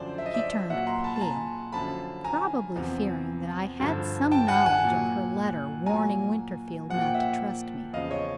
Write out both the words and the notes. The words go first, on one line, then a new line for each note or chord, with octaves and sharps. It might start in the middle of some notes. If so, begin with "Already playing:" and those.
She turned pale--probably fearing that I had some knowledge of her letter warning Winterfield not to trust me.
Already playing: F#2 D3 F3 C5 D5
E5
D#5
D5 E5
A#2 F#3 E5 F#5
A#5 C6
A5 B5
A5
G#5 A#5
F#2 D3 F3 A5 B5
G#5 A#5
E2 C3 F3
G2 D3 F3
G5 A5
F#5 G#5
F#5 G#5
A#2 F#3
A#2 F#3 G#5 A#5
A#2 F3 F#5
G5
E5 F#5
E2 C#3 F3 D#5 F5
C#5 D#5